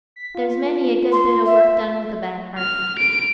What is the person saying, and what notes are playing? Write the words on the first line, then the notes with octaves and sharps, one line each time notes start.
There's many a good bit o' work done with a bad heart.
B6
F4
C6
E5
F6
D7